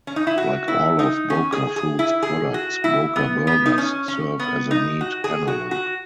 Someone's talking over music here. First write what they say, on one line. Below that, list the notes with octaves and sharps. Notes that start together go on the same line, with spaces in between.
Like all of Boca Foods' products, Boca Burgers serve as a meat analogue.
C#4
D#4
E4
F#4
E4
D#4
C#4
G#4
G#4
E4
G#4
F#4
E4
B3
B3
D#4
C#4
C#4
B3
D#4
F#4
G#4
F#4
F#4